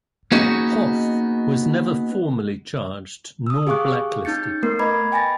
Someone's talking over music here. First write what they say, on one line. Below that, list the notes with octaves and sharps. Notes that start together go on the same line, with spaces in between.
Hoff was never formally charged, nor blacklisted.
A#3 B3 C#4 D#4 F#4 G#4
D#6 E6
G4 G#4 F5 C#6 D6 F#6
C#4 D#4 G6 A6 C#7
A3 B3 A#4 C7
B4 D#5 A#5 B5 D6 G#6
G5 G#5 B5 A6 A#6